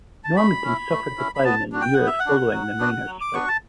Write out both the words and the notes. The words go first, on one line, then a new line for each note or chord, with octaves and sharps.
Normanton suffered decline in the years following the miners' strike.
A5
A3 B5
C#4 E4
A3
C#4 E4
B5
B3 A5
D4 F#4
G5
F#5
B3
E5
F#5
D4 F#4
F#3
B3 D4 F#4
F#3
D6
B3 D4 F#4 C#6
A5